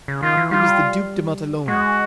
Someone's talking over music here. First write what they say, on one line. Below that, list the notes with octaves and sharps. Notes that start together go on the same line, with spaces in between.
It was the Duke de Matalona.
C#3
D#3 F4
E3
G3 F4
G#3 F#4